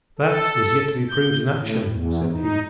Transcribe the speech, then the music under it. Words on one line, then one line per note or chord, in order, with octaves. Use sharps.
"That is yet to be proved in action," said he.
A4
G6
A2
E2
D#4